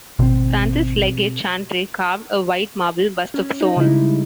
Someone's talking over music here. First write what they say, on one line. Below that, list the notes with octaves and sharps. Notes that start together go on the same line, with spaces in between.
Francis Leggatt Chantrey carved a white marble bust of Soane.
G#1 B2 C4
C#4
D#4
C#3 G3 G#3 D#4 E4